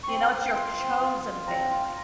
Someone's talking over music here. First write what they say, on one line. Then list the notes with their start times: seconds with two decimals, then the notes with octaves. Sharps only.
you know, it's your chosen family
0.03 C#6
0.08 C4 C6
0.31 C4
0.54 F4
0.78 C4
1.01 F4
1.24 F4
1.47 C4 A#5
1.71 F4